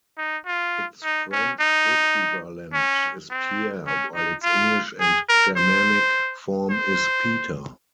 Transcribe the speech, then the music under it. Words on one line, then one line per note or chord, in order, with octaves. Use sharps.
Its French equivalent is Pierre while its English and Germanic form is Peter.
D#4
F4
D#4
C#4
D#4
C#4
C4
C#4
D#4
F4
G#4
A#4
C5
C5